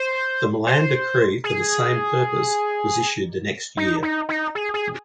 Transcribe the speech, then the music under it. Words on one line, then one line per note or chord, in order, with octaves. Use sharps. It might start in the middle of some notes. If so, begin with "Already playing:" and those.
The Milan decree for the same purpose was issued the next year.
Already playing: C5
C5
G#4
D#4
D#4
D#4
G#4
G#4